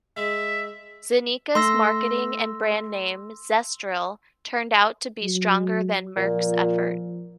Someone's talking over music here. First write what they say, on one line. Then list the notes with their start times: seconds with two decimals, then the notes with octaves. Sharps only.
Zeneca's marketing and brand name, "Zestril", turned out to be stronger than Merck's effort.
0.17 G#3 E5
1.55 A3 C6 E6 A#6
5.22 F#3
6.17 A#2 F3